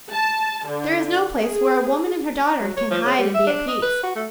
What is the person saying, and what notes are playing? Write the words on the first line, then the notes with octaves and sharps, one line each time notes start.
There is no place where a woman and her daughter can hide and be at peace.
A5
D3
G#4
F#3
C#5
F3
C#3
G3
E5
D4
D#5
B4
F#4
A3